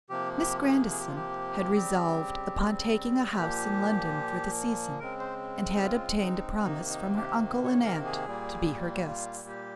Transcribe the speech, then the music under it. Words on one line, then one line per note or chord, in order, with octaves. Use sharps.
MISS GRANDISON had resolved upon taking a house in London for the season, and had obtained a promise from her uncle and aunt to be her guests.
C3 F3 A#3 G4
G4
G#4
G#4
G4
F4
G4
C#3 G3 C4
A#2 F3 A#3 G4
C#3 G#3 C4 A#4
C5
D#4
F4
D#4
C3 D#3 A#3 D#4
D#4
G4
C#5
A#4
G#4
A#2 G3 A#3
F4
G4